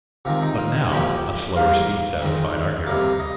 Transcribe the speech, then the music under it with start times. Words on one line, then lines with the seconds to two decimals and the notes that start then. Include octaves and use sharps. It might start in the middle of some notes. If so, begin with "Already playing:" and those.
But now a slower speed satisfied our hero.
0.25 C3 D#3 G#3 F4
0.42 D#4
0.58 F4
0.75 D#4
0.90 A#2 F3 G#3 G4
1.56 G#2 G3 A#3 F5
2.21 F2 D#3 G#3
2.87 C3 G3 A#3 F5
3.20 D#5